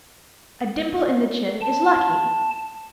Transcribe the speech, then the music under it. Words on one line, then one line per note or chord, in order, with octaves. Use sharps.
A dimple in the chin is lucky.
A5